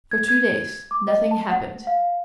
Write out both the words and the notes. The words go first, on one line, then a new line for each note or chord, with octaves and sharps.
For two days nothing happened.
G#6
G#6
D6
D#5
A5
F#5
F5